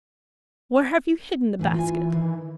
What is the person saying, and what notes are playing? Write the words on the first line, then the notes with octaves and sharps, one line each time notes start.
'Where have you hidden the basket?
D2 A2 E3 G#5
F4 G#5
D#3